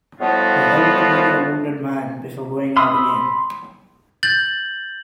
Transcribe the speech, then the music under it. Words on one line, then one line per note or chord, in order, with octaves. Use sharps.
He helped to bring in a wounded man, before going out again.
A2 F3 G3 B3 F4 F#4
B5 C6 D#6 E6
G6 A6 F#7